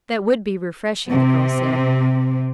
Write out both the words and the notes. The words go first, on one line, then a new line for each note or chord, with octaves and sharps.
"That would be refreshing," the girl said.
C3